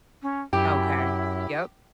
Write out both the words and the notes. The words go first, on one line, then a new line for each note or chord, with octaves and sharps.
Okay, yep.
C#4
F#2 E4 G4